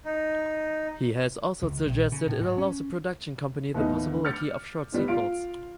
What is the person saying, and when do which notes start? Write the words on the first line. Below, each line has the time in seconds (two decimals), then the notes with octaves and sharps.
He has also suggested it allows the production company the possibility of short sequels.
0.05 D#4
1.62 C#2
1.88 A#1
2.12 C#3
2.27 A2
2.41 G#2
2.58 C#4
3.74 D#2 A2 B3 D#4
4.10 D3
4.24 D6 F6 G6 A6 C#7
4.92 G3 B3 D#4
5.08 F4 F5 D7